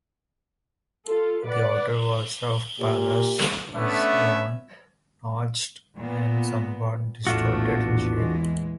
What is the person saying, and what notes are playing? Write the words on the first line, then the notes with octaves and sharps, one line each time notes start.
The outer wall of Pallas is worn, notched, and somewhat distorted in shape.
F4 A4
B4 D5 F#5
A#2 G4
A3 B3 C#4 D4 B4 E5
A#2 B3
A#1 E2 A2 A3 D4 F4 F#4
E3 G#3